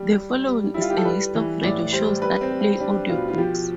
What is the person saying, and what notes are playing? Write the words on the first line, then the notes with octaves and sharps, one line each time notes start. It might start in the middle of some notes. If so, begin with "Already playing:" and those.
The following is a list of radio shows that play audiobooks.
Already playing: G3
G3
G3
G3 E4
F4
G4
A4
G3 B4
E3
A2 D5
G3 C5
G3 B4
C4
G3
C4
G3 D4
B2 F4
F4
F3 G4